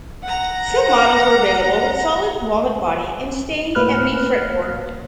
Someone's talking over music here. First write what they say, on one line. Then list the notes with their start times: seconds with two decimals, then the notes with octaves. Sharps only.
Some models were available with solid walnut body and stained ebony fretboard.
0.23 F#5 A#5
3.75 A2 A#3 B4 F6 F#6